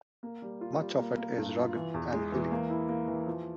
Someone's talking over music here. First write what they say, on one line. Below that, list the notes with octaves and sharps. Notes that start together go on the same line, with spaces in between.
Much of it is rugged and hilly.
A#3
G3
F4
G3
A#3
A#3
G2
F4
E3
E2
G#3
E3
A#3
E4
A#3
E3
F3